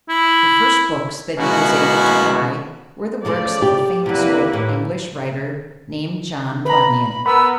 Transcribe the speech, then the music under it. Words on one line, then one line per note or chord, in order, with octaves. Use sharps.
The first books that he was able to buy were the works of a famous old English writer, named John Bunyan.
E4
B2 G#3 A#3 C#4 E4 F#4
C#3 F3 A3 D5
G4
E2 C3 A#3 E4 B4
A2
B4 A#5 B5
B3 A#4 B5 E6